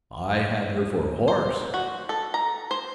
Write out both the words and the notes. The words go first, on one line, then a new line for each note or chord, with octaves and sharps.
"I had her for a horse."
C5
F#4
A4
A#5
C5